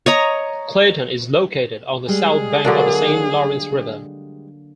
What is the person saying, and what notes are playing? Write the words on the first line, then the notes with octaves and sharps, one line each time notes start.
Clayton is located on the south bank of the Saint Lawrence River.
C#5 D#5 A#5
G3 G#3 G#4
D3 F#3 A#3 D4